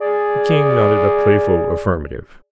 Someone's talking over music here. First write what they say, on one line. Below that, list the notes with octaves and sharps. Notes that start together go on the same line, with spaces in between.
The king nodded a playful affirmative.
G#4 D5